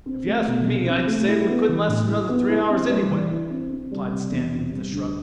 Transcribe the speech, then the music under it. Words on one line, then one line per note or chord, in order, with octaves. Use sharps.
"If you asked me, I'd say we couldn't last another three hours anyway," replied Stanley with a shrug.
C4
A3
B2
C2
C4
A3
E4
B3
E3
A2
E4
B3
E4
C4
G3
E3
E4
C4
C4
G3
C3
E2
C4
G3
D2